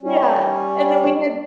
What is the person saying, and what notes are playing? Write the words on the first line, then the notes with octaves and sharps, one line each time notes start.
Yeah. And then we had
G3 C#4